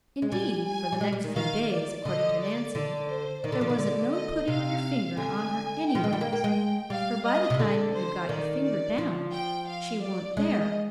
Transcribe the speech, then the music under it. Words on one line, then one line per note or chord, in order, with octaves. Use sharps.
Indeed, for the next few days, according to Nancy, "There wasn't no putting of your finger on her anywheres, for by the time you'd got your finger down she wa'n't there."
G#3
G3 G#5
G#5
G3
G#3
G3
D#3
D#3 F5
D5
D3 D#5
D5
D3 D5
C5
D#3 D5
D3
F3
D#3
D3
D#5
C3 F5
D3 G#5
G5
F3
G#3
G3
A#3
A#3
G#3
G3 F5
D#5
C3
D3 D5
C5
D#3 D5
D5
F3
G5
F5
D5
G#3 D#5